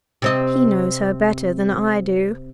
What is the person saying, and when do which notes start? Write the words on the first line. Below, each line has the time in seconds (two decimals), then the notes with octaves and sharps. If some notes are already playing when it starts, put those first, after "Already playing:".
"He knows her better than I do."
0.22 C3 C4 D#5